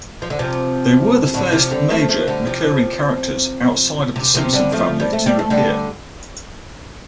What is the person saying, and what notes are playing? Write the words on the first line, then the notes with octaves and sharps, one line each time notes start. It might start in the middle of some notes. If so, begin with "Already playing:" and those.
They were the first major recurring characters outside of the Simpson family to appear.
F3
D3
C3 F3
A2 D3
C3 F3
D3 G3
F3 A3
F3 A3
D3 G3
C3 F3
C3
C3 F3
D3 G3
F3 A3
G3
A3
G3
A3
D3 G3